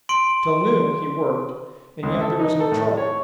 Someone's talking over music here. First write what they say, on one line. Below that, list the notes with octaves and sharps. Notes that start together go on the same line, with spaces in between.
Till noon he worked and yet there was no trouble.
C6 D7
C#2
A4
D#4
A4
A2
C#5